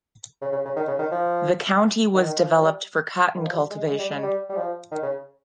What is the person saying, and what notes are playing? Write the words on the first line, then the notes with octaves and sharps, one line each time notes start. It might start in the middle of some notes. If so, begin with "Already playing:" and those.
The county was developed for cotton cultivation.
C#3
C#3
C#3
D#3
C#3
D#3
F3
D#3
D#3
F3
F3
G3
D#3
F3
G3
G#3
G#3
G3
G#3
G3
G3
F3
D#3
C#3